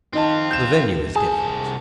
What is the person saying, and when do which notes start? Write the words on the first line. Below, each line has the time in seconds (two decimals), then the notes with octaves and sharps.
The venue is different.
0.13 D#3 C4 D#4 F4 A5
0.51 G6 E7
1.16 C2 G#4 A5